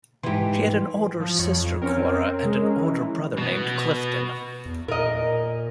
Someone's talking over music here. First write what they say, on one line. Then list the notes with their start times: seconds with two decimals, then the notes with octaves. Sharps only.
She had an older sister, Cora, and an older brother named Clifton.
0.23 G#2 E3 G4 C6
1.20 F3
1.39 F2 C#5
1.82 C4 C#4 A#4
2.45 G#3
2.77 E3
3.38 B2 B3
4.66 E2
4.88 A#2 A#4 D#5